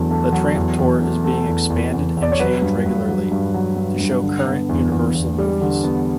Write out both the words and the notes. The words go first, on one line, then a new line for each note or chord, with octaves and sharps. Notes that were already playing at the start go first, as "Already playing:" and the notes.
The tramp tour is being expanded and changed regularly, to show current Universal movies.
Already playing: E2 D3 F#3 A3
A3
F#3
E2
E2
A3
A3
E2
E2
E2
E2
D5
C#5
F#3 B4
G2
G2
F#3
G2
F#3
G2
G2
D3
B3
E2
E2
E2
G3
D3
B3